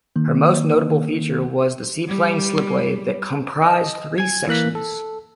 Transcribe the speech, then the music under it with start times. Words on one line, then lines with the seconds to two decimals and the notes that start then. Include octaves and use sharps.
Her most notable feature was the seaplane slipway that comprised three sections.
0.16 D#3 A#3
2.07 G3
3.62 D#5
4.18 G#5 G#6
4.48 E3 A#3 F#6 B6
4.75 A4